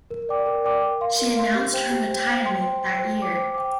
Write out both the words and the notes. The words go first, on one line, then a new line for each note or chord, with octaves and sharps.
She announced her retirement that year.
A#4
D5 G5 D6
A#4
D5 G5 D6
A#4
F5 C6
A#4
F5 C6
G4
C5 G5
G4
C5 G5
C5
G5 C6
C5
G5 C6
C5
G5 D6
C5
G5 D6